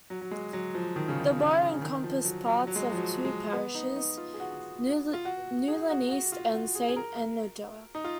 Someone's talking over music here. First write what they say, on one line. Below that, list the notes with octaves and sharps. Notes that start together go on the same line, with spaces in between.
The borough encompassed parts of two parishes, Newlyn East and Saint Enoder.
F#3
F#3
G#3
F#3
F3
D#3
C#3
D#3
C#3
C#3
D#3
F3
F#3
F#3
F#3
G#3
F#3
F3
F#3
G#3
B3
D#4
D#4
F4
G#4
F#4
F4
F#4
G#4
F#4
F#4
F4
F#4
G#4
G#4
A#4
D#4
F4